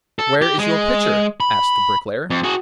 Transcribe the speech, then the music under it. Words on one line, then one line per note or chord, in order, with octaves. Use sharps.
'Where is your pitcher?' asked the bricklayer.
A4
G4
G#3
B5
F2
F#4 G#4